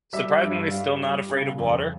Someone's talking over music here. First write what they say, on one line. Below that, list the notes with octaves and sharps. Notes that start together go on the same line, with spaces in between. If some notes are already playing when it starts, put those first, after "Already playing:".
surprisingly still not afraid of water.
G3 E5
G2
G3 F5
G3
C#3
F2